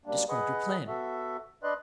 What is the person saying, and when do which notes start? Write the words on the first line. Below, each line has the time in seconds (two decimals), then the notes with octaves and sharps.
"Describe your plan."
0.06 F#2 G3 A#3 D4
0.29 G#4 B4 D#5 F#5
0.88 B3 F#4 A4 E5
1.63 D4 B4 D5 D#5 C6 F#6